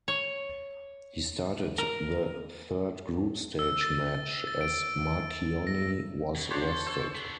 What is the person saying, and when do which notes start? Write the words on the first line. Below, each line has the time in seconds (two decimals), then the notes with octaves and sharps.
He started the third group stage match, as Marchionni was rested.
0.08 C#5
1.78 A#4
3.59 E6
3.81 A6
4.47 A6
4.61 D7
5.67 A#6
6.35 B2
6.51 D4 G4 C5 C#5 F5
6.68 A4
6.86 C5 E6
6.99 C#6
7.15 B3 D4